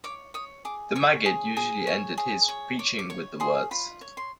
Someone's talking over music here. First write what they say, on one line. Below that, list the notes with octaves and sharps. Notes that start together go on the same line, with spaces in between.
The maggid usually ended his preaching with the words.
C#5 D6
C#5 D#6
G#4 D6
C#5 C#6
G#4
G#4
C#5
G#4
C#5
C#5 D6
D6
C#5 C#6
G#4 C6
F4 B5
C#5
C6